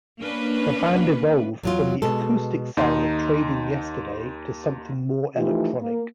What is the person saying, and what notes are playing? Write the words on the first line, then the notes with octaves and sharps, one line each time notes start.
The band evolved from the acoustic sound of Trading Yesterday to something more electronic.
A#3 C#4 D4 B4
E2 F#3 F4
B2 G#3 A4
D#2 D#4 C6
E3 F3 A3 D#4 F4 G4
A#3